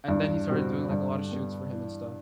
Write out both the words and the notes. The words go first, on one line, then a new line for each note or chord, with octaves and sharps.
and then he started doing, like, a lot of shoots for him and stuff,
E2 G2
B2 G3 C4 F#4
G2 D3
G3 B3
E3